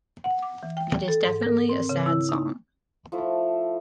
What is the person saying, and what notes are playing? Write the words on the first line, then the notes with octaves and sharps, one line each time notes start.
It is definitely a sad song.
F#5
D6
E3
G5
A4
G#2
A#4
C4
C#3
E4
D#4
F3 A3 E4